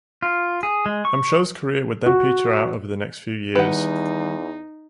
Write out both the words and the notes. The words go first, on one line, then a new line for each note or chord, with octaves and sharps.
Hamsho's career would then peter out over the next few years.
F4
G#4
G#3
C#6
F#4
E2 D#3 G3 D#4 B4 F#5